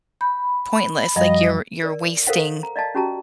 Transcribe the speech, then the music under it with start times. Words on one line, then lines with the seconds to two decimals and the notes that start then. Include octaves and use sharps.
pointless. Like, you're you're wasting
0.21 B5 G6
1.16 F#2 F3 G3 D#5
1.83 A#4 D5
2.27 A4 A#4 C5 F5 F#5
2.63 A#5
2.76 D5 D#5 F5 A5
2.95 C#4 F#4 G4 A5 A#5